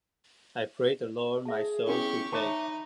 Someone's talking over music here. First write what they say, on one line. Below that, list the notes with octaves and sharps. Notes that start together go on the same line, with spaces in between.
I pray the Lord my soul to take.
G#4 E5 A5
B3 C#4 E4 G4 C#6
D#4 C#5 E5 A5 B5 C#6 D6